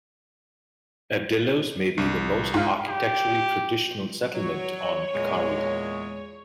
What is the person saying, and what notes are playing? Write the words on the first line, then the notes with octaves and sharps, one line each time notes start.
Evdilos may be the most architecturally traditional settlement on Ikaria.
C2
G#2 F4
G4
F#3 C#5
E2 A#2 G#3